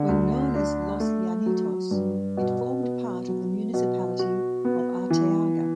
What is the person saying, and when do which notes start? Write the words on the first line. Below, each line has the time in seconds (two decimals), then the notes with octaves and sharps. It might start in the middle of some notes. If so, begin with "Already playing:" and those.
When known as Los Llanitos, it formed part of the municipality of Arteaga.
Already playing: D3
0.08 D2
0.55 D4
1.00 A3
1.46 F#3
1.91 G2
2.37 B2
2.83 B3
3.28 F#3
3.74 B2
4.19 F#4
4.65 B3
5.10 E3